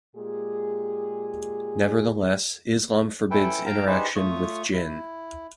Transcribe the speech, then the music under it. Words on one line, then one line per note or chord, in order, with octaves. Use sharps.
Nevertheless, Islam forbids interaction with Jinn.
A#2 G#3 G4 G#4
C#4 E4 A4 B4 G5
F5 G5 A5 A#5
D4 D#4 G4 G#4 B4 C5
A3 F4 C#5 C#6 D#6
E4